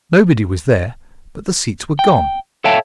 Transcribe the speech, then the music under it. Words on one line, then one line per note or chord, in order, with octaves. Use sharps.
Nobody was there, but the seats were gone!
G5
A4 C#5 E5 F5 G5 A5